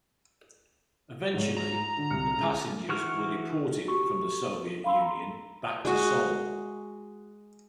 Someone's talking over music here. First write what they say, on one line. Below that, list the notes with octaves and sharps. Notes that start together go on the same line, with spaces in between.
Eventually, the passengers were deported from the Soviet Union back to Seoul.
G#2 C#5
A#5
D3
C2 F6 C#7
C#2
E3 F#4 C#6 F6
F#4 G4 C#6
F5 B5 C6 E6
A#5
G#3 F#4